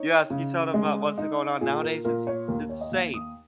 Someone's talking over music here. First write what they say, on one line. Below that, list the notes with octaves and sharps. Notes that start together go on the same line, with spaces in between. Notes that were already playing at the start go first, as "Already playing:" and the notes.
You ask you tell them about what's going on, nowadays? It's it's it's insane.
Already playing: D#4 C#5
C#3
G#3
D#4
A#2 G#4
A#4
A#2 A#4
C#5
D#2 A#4
C#5
D#5
D#2 F5
D#6